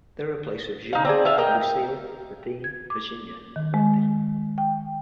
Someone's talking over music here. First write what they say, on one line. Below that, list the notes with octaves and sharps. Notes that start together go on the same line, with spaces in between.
They were replaced with Jean, Lucille, Nadine, Virginia and Wendy.
D#4 F5
C4 D4 G#4
F4 E5 F5
A#4 D#5 G5
G#6
D6
D#3
G#3
G5